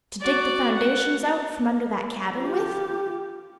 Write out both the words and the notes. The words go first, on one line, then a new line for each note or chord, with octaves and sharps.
"To dig the foundations out from under that cabin with?"
F#4 D5
F#5
F4 G4